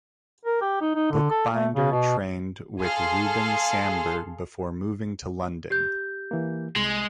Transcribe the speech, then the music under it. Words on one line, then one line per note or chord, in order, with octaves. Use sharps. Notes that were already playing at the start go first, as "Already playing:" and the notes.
Bookbinder trained with Rouben Samberg before moving to London.
A#4
G4
D#4
D#4
D3
A4
A3
C#3
B2
G#4 A4 F5 C6
G4 G6
E3 A#3
C2 G#3